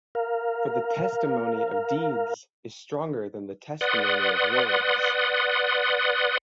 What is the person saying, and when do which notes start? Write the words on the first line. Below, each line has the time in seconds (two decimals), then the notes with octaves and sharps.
For the testimony of deeds is stronger than the testimony of words.
0.15 A#4 F5
3.81 B4 D5 F#5 C6 D#6